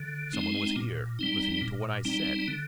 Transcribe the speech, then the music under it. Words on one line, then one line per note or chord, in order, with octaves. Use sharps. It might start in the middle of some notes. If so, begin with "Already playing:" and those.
Some one was here--listening to what I said!
Already playing: D3
G#3 C4 D#4
A#2
G3 C4 D#4
A#2
G3 C4 D#4
D3